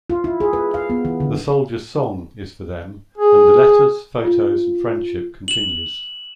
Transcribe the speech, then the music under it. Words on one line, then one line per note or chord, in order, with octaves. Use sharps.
'The Soldier's Song' is for them and the letters, photos and friendship continues.
F4
E4
G#4
B4
F5
B3
E3
D3
G#4
F4
E7 F#7